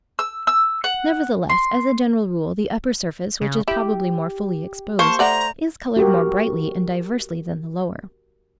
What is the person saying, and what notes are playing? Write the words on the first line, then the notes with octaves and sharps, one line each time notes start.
Nevertheless, as a general rule, the upper surface, which is probably more fully exposed, is coloured more brightly and diversely than the lower.
E6
E6
F#5
C6
C#3
E4 G4
A#3 C5 A5 C#6
A3 D5 F#5 A#5
F#4 G4 A#4